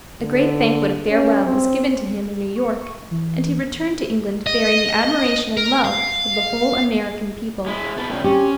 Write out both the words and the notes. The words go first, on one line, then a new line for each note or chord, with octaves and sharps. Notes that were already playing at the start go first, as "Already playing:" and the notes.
A great banquet of farewell was given to him in New York and he returned to England bearing the admiration and love of the whole American people.
D3
C#4
C4
C#6
E3
D#5
A#4
F5
G#3 E4
B2 A4 B4
A#2 C#3 G3
C4 C#4 G4